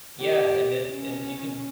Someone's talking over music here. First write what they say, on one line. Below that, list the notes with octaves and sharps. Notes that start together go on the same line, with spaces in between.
Yeah, and then and you can
G4
C#4